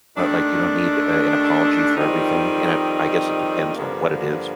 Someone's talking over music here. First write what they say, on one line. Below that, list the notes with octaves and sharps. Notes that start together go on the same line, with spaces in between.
Li like, you don't need, eh, an apology for everything? And it I guess it depends on what it is.
D#2 D#3 A3 D4
F2 D#3 G3 C4 D#4
G2 D3 F3 A#3